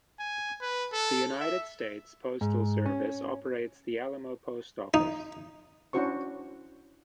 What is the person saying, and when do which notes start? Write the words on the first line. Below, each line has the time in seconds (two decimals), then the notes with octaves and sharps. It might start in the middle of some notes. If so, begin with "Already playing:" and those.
The United States Postal Service operates the Alamo Post Office.
0.19 G#5
0.61 B4
0.93 A4
1.40 E5
2.41 G#2
2.86 C#4
4.94 D#4
5.93 C#4 D4 E4 F#4 C5 C#6